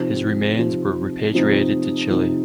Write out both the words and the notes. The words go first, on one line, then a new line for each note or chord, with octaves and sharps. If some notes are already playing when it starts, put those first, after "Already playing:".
His remains were repatriated to Chile.
Already playing: C3 F3 C4 D#4
C3 F3 C4 D#4
C3 F3 C4 D#4
C3 F3 C4 D#4